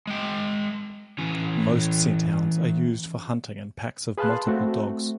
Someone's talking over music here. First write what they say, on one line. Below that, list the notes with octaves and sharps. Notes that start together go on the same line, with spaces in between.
Most scent hounds are used for hunting in packs of multiple dogs.
G#3 G5
E3 C#4
G#4 B4 F5 A5 C6 F#6
A3 C4 F#4